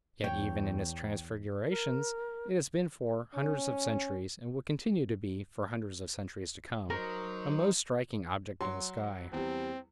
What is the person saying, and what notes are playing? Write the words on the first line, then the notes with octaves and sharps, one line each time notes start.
Yet even in its transfigurations it has been for hundreds of centuries, and will continue to be for hundreds of centuries to come, a most striking object in the sky.
E2 C#5 G5
A#4
C#4
F#3 D#4 A#4 C5
F#3 C6
E2 G3 C4